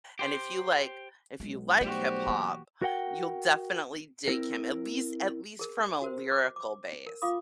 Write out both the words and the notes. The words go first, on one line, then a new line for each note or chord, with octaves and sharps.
and if you like if you like hip hop, you'll definitely dig him, at least at least from a lyrical base.
G4 C5
B1 G#3
G3 A3 C4 F#4 G4
E3 A#3
F#4 A#4 F#5 G5
C4 E4 A#4
G#4 A#4
F#4 A#4 C5
D6
D6
A#4
F4 F5 B5 D6 D#6